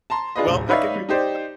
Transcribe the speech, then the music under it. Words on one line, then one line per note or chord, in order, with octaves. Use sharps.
Well, I can re uh
A5 A#5 C6
D4 F4 G#4 B4 D#5
D1 A1
D#4 B4 C#5 D5 E5 F5
G3
D#4 G4 C5 D5